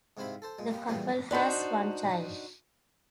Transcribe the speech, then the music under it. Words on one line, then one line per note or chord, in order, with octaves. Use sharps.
The couple has one child.
G#2 C3 C4 E4 F5 B5
A4 C5 A5
A#2 G#3
A#3 G4
A#2 C#3 E3 G3 B3 G4
D4 D#4 F#4 C5